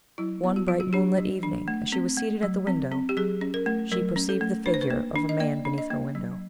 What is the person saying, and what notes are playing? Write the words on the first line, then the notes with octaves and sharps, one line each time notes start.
One bright moonlight evening as she was seated at the window, she perceived the figure of a man beneath her window.
F#3 E4
B3
F#4
F#3 F4
F#4
D4 G4
F#3
D4
A3
C4
A3
F#3
C4
C4
G4
F#3 G#4
C#4
A#4
A3
F#3 A#4
C#4
A4
A3
D4 B4
C5
B4
A#3
D4
D#5
A#3 D5
D4
D#5
A#3
F#3